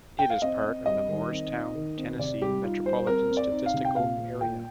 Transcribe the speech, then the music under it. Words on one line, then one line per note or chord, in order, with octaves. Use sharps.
It is part of the Morristown, Tennessee Metropolitan Statistical Area.
G5
F5
C4 D#5
C4
G3 D#5
D#3
C4
D#4
D#3
C4
C3 D5
G3 G4
D#4 F4
G3 C5
C4 A#4
C4
D5
D#4
F5
C3
G5
A#2 F5
A#2
A#2 G5